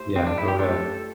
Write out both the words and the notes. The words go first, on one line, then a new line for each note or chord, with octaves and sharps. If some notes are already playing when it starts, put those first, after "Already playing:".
Yeah. Go ahead.
Already playing: A3 E4 G4 C5
C4
D4
E4
G4
A3 E4 G4 A4 C5